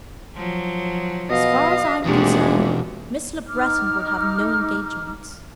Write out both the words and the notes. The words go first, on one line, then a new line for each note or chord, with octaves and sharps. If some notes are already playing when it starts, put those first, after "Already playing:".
"As far as I am concerned, Miss Le Breton will have no engagements."
F3 F#3
B2 D#5 F5
F1 E2 B2 G#3 A#3 D4 F#4 G4
D#4 D6 F6